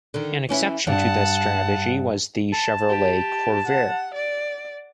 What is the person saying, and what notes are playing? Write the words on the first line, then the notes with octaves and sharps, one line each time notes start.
An exception to this strategy was the Chevrolet Corvair.
D3 D#3
E3 C#4 E4
G2 D4 F#5 A5
A5
G4
F#5
D5